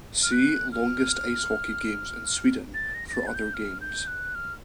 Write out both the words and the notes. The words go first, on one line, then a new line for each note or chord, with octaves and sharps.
See Longest ice hockey games in Sweden for other games.
F6
F#6
F6
A6
A#6
A#6
A6
F#6
G6
F6
G6
F#6
F6